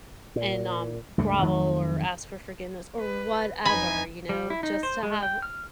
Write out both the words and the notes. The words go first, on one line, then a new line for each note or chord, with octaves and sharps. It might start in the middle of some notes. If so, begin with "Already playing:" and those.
and, um, grovel or ask for forgiveness or whatever, you know, just to have
A#2
C#2 G2 A#2 A3
F2 D#3 F#3 A3
B4
F2 D#4 G#5 B5
G3
E4
D#4
C5
G#3
G5
F6